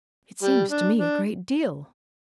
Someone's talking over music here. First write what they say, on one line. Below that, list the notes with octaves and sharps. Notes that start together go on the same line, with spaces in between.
"It seems to me a great deal."
G3
D4
D4